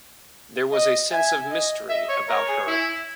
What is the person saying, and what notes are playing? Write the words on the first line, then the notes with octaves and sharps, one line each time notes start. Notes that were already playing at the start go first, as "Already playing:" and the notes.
There was a sense of mystery about her.
D#5
E5 G#5
D#5
D#5 E5
C#5
A#4 C#5
G#4
E4